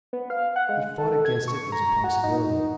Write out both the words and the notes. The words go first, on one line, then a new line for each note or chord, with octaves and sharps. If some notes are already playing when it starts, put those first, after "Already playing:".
He fought against it as a possibility.
B3
F5
F#5
G#3
A4
G#6
C#6
A#5
F#4
D#4